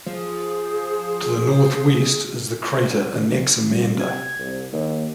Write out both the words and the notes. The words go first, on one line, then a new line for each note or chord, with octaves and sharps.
To the northwest is the crater Anaximander.
F3 G#4
C3 G3
G#6
C2
D#2 A#3